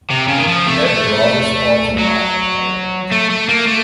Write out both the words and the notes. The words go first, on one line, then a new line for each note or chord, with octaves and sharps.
He lived a rather Spartan life at Cambridge.
C3
C#3
D#3
F3
A3
A3
F#3
A3
A3
A#3
A3